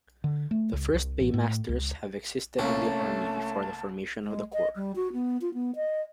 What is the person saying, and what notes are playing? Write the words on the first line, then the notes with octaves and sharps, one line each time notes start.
The first "paymasters" have existed in the army before the formation of the corps.
D3
A3
C#2
C2
A1
A2
C#2
C2 A3 A#3 C#4 A5
G#3
D#5
G3
F#4
B3
F4
B3
D#5